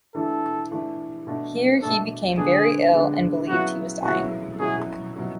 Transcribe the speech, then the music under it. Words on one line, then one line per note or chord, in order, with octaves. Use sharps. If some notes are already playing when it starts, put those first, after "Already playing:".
Here he became very ill, and believed he was dying.
E3 A3 D4 A4
E3 A3 D4
B2 A3 D4
B2 A3 D4 A4
D3 G#3 B3 D4 G#4
D3 G#3 B3 D4
C#3 F#3 B3 E4 F#4
C#3 F#3 B3 E4 F#4
B2 F#3 C#4 E4 G#4
B2 F#3 C#4 E4